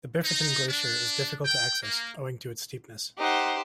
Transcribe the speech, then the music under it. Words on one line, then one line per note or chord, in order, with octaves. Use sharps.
The Biferten Glacier is difficult to access, owing to its steepness.
D#4
D4
G5
A#3
D#4 G4 C5 F#5